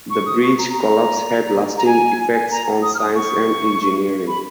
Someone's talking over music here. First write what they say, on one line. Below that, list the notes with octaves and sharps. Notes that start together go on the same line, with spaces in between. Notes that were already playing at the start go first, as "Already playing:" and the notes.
The bridge collapse had lasting effects on science and engineering.
C#6
D#6
C#6
A#5
A#5
A#5
G#5
G#5
A#5
D#6
F6
D#6
C#6
B5